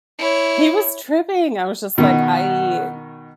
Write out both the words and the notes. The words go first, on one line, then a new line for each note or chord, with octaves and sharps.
he was tripping, I was just like, "I"
E4 C#5
B2 D#3 F#5